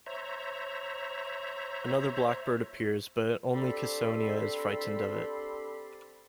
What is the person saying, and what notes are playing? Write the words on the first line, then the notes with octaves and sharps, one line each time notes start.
Another blackbird appears but only Caesonia is frightened of it.
C5 C#5 E5 A#5
C4 D4 G4 A4 B5 C6